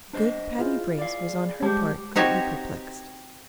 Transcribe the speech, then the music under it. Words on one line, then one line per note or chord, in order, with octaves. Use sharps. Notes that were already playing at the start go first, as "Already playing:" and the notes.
Good Patty Brace was, on her part, greatly perplexed.
D4 C5 D#5
E4 F4 G#4
D5 F5
G3 G#3 G4 C5 A5
C4 D#4 F#4 G4 C#5